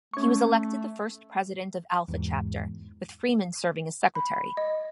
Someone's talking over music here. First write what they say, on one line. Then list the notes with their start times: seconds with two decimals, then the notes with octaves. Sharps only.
He was elected the first president of Alpha Chapter, with Freeman serving as secretary.
0.14 A3 C#4 C#6
2.08 E2 G#2
4.15 B5
4.57 D#5